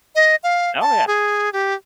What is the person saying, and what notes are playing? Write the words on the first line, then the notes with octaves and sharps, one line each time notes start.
Oh, yeah.
D#5
F5
A5
G#4
G4